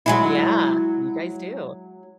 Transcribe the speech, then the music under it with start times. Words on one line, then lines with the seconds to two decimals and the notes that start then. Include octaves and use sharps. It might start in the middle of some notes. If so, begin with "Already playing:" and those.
Yeah, you guys do.
0.06 F#3 G#3 E4